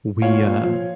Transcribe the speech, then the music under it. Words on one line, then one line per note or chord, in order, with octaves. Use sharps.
we, um
A#2 C#5 F5
A#2
F3